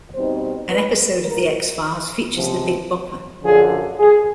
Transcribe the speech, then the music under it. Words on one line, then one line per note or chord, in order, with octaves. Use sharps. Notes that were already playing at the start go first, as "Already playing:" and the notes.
An episode of "The X-Files" features the Big Bopper.
B2 G3 C4 D#4 C5
B4
C2 A#2 F#3 A#3 A#4
C#2 C3 F3
F#2 D3 F3 G#4
G#4